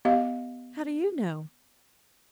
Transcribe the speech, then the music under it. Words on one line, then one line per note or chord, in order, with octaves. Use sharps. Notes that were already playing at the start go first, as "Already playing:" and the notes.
"How do you know?"
B3 G4 D#5 F5